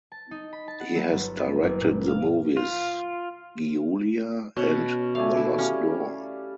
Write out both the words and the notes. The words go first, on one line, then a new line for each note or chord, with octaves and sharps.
He has directed the movies "Giulia" and "The Lost Door".
A5
D#4
B5
A5
F#5
F#3
G1
B3
F#1
A#2
F5
F4
B2 C#4 C#5
A3 D5 F5 G#5
E4
G3 C#4 F5